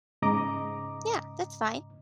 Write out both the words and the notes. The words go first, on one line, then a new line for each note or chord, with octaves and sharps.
Yeah, that's fine.
G#2 C#3 D#5 A#5 D6